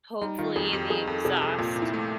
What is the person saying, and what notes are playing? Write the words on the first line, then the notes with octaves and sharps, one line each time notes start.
hopefully, the exhaust
G3 D#4
D#3 F4
F2 G#4
F2 G4
F2 G#4
F2 A4
C3 G#4
F2 A4
A#2 F4
A#2
E4
A3